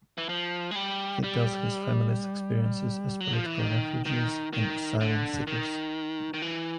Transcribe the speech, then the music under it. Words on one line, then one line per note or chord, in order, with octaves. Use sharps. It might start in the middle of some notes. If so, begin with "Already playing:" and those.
He tells his family's experiences as political refugees and asylum seekers.
E3
F3
G#3
G3
G3
F#3
F3
E3
D#3
D#3
D#3
D3
D#3
D#3
E3